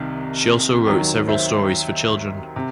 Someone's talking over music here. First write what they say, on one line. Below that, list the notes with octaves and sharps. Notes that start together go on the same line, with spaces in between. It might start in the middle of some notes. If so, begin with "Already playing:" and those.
She also wrote several stories for children.
Already playing: C2 C3 D#3
D#2 D#3 F#3
C5 E5
C3